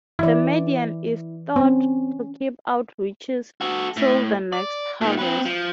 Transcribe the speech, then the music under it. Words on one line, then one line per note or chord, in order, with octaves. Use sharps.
The Maiden is thought to keep out witches till the next harvest.
E3 E4 D5
C4 C#4
F#4 A4
A2
D5
A#2 D#3
C4 B4
F3